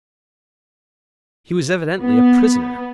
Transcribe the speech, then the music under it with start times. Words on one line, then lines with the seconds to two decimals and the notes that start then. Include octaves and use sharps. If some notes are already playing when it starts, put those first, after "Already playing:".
He was evidently a prisoner.
1.99 B3